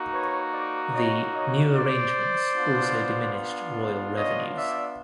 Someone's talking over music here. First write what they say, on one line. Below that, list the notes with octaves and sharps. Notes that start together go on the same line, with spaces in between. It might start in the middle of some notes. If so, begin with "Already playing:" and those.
The "new arrangements" also diminished royal revenues.
Already playing: A#3 D#4 F#4
B4 C#5
C5 D5
C#5 D#5
C#5 D#5
C5 D5
B3 D4 F4
C#5 D#5
D5 E5